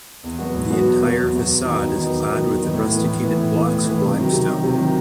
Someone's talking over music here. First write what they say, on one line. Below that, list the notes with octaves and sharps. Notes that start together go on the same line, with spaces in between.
The entire facade is clad with rusticated blocks of limestone.
E2
B2 F#3 B3 F#4
E2
B2 F#3 B3 F#4
E2
B2 F#3 B3 F#4
E2
B2 F#3 B3 F#4
E2
D#3 F#3 B3 D#4
E2
D#3 F#3 B3 D#4
E2
D#3 F#3 B3 D#4
E2
D#3 F#3 B3 D#4
A2
E3 B3
A2
E3 B3
A2
E3 B3
A2
E3 B3
C3
D#3 F#3
C3
D#3 F#3
C3
D#3 F#3